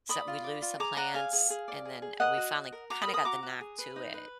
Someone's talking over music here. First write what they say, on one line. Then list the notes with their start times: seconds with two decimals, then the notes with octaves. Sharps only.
some we lose some plants, and then we finally kinda got the knack to it.
0.09 D5 B5 D#6
0.28 F4
0.44 D5
0.62 F4
0.80 G#4 A#5 D6
0.97 D5 F#5 A#5
1.14 G#4 F5 G#5
1.33 G#4
1.50 G#4
1.68 D5
1.85 G#4
2.02 G#4
2.20 A#4 D#5 F#5
2.38 F#4
2.55 F#4
2.73 A#4
2.90 F#4 A#5 D6
3.02 B5 D#6
3.07 A#4
3.14 B5 D#6
3.25 F#4 A#5 D6
3.43 F#4
3.61 G#4
3.79 B4
3.96 D#4
4.14 B4